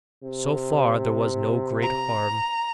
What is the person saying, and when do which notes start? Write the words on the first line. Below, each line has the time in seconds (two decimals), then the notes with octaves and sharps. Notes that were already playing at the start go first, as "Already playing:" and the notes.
So far there was no great harm.
0.23 C3
1.82 A#5